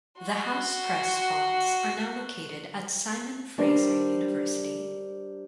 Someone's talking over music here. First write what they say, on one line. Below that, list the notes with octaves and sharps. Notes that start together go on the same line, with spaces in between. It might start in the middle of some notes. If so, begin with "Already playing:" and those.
The housepress fonds are now located at Simon Fraser University.
F#4 C6
G3 D4 A#4 C5